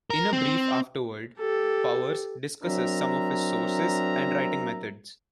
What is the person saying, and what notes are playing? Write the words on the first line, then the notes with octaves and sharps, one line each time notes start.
In a brief afterword, Powers discusses some of his sources and writing methods.
A#4
C4
G4 A4
F#3 C4 D4 A#4 E5 A#5